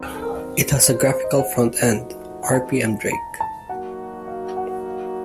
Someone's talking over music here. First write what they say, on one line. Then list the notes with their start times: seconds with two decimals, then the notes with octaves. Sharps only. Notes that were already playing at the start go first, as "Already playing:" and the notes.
It has a graphical front-end: Rpmdrake.
Already playing: D#3 F#3 C4
0.14 A4
0.22 A#4
0.81 C5
0.95 C5
1.09 C5
1.24 D#5
1.39 F3 A3 D#4 F#4 F#5
2.43 F#5
2.54 A5
3.12 A#5
3.40 A5
3.69 F#3 A#3 D#4 F#4 F#5
4.28 F5
4.57 F#5
4.86 F5